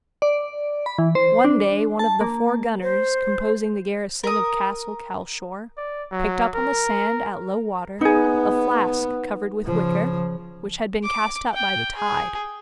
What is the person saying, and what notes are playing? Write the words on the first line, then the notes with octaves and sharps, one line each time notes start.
One day one of the four gunners composing the garrison of Castle Calshor picked up on the sand at low water a flask covered with wicker, which had been cast up by the tide.
D5
B5
E3
C5
D4
A5
A#3
C5
A#4 D#6
D5
F#3
A#4
B3 D#4 G#4
C#3 F3
D6
G5
G#4